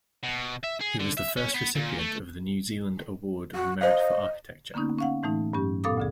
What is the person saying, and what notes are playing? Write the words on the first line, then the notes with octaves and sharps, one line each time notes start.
He was the first recipient of the New Zealand award of merit for architecture.
B2
E5
G#4
D3
E5
C#4
B3
A#2
A3
F#4
C5 D#5 F5
D3 A#3 B3 C#4 D#4
C#4 F5 F#5
A2 E3 A3 D#4
G2 F#3 C#4 G4
A#2 B3 A4 F5 D6 D#6
D2 D3 G#4